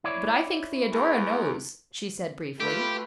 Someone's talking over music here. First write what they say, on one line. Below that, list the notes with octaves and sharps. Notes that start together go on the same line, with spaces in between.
"But I think Theodora knows," she said, briefly.
E4 C#5 D5
E2
A3 F4 G4 B4